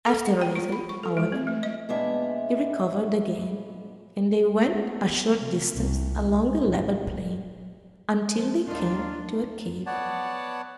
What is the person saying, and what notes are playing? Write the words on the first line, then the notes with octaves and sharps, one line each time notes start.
After a little, however, he recovered again, and they went a short distance along a level plain, until they came to a cave.
A4
F#5
G5
F4
B5
C#6
A4
G#3
C4
A3
D#5
A#2 G#3 B3 D4 E5
B3
C3
C2
D2
A#2
F3
D#2 D#3 D4 D#4 F4
B3 C#5 D5 F#5 A5